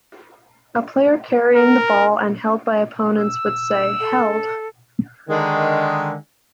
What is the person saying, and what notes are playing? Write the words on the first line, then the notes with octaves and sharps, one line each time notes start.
A player carrying the ball and held by opponents would say, Held!
A#4
E6
A4
D3 D#3 G#3